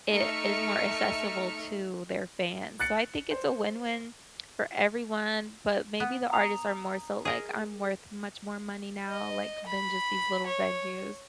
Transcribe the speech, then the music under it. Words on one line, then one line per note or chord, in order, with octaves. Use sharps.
it is more accessible to their fans. So I think it's a win-win for everyone. But maybe the artists are more so like, "I'm worth much more money now, like, than just these little venues."
A3 D#4 E5 F6 C#7
F#6 A6 C#7
C5
B3
A#5 D#6 F7
G#4 A#4 D#5
D#5
B5
C#5